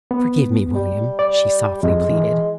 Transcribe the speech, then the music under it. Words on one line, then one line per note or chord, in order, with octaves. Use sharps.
"Forgive me, William," she softly pleaded.
B3
G3
D5
F2 G#3
E3